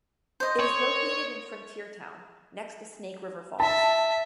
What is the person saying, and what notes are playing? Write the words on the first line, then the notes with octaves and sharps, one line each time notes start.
It is located in Frontiertown, next to Snake River Falls.
C5 D#5
C#5 C#6
A#4
E5 A5